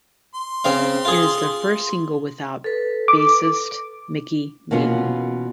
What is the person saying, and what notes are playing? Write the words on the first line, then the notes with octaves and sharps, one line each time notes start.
It is their first single without bassist Mickey Madden.
C6
C#3 C4 F5
F4 G#4
A4 B4
D6
B2 E3 A#3 B3 C#4 F4